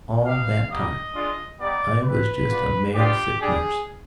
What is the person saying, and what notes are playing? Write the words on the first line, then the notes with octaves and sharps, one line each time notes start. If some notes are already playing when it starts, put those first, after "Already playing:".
For, all that time, I was just a male sick nurse.
B3 D#4 G4 F5
G3 B3 D#4 G4 D#5
G#3 D4 F4
G3 B3 D#4 G4 D5
C4 F4 B4
B3 D4 F4
B3 D4 F4 G4
G3 D4 G4 G#4